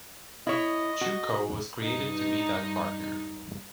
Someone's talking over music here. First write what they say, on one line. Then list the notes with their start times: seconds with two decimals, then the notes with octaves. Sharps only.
Chewco was created to be that partner.
0.47 E4 C#5 D#5
1.01 F#4
1.83 G2 D#4